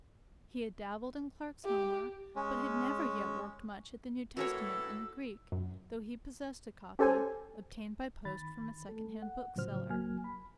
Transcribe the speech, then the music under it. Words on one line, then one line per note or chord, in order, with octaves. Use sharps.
He had dabbled in Clarke's Homer, but had never yet worked much at the New Testament in the Greek, though he possessed a copy, obtained by post from a second-hand bookseller.
G4
G#3 C#4
A2 E3 F#4 A4 A#4 C#5 E6
F#2
C#4 G4 A4 C5 G#5
D#3 B5 A6
A3 A4
F#5
A2 C#3 F3 F#3 C5 F6
C#2 F#3 A#3 G#5 F6
B5